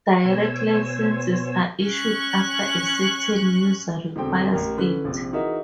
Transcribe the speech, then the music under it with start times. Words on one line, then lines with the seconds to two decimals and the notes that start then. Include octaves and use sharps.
"Direct Licenses" are issued after a certain user requires it.
0.25 B2 B3 C5 C#5 G#5 E6
1.84 C#4 C#6 F#6
4.16 E1 D3 C4 G5
4.52 A1 G4 A#4
4.77 D3 E3 C#4 B4 B5 F#6
5.04 A#1 C3
5.33 E3 D#4 F#4 G#4 A#4 E5